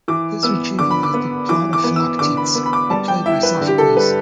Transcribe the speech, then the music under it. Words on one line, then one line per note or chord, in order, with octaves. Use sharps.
This retrieval is the plot of "Philoctetes", a play by Sophocles.
E3 D6
B3 E6
D3 D6
B5
D6
B3
E3 D6
D6
B3
E6
D3 D6
B5
B3
B5
D6
G3 A5
G5
E4 E5
B4
D3
G4
A4
G3 B4